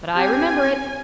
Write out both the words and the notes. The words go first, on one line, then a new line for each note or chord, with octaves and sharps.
But I remember it.
C4 G4 G#5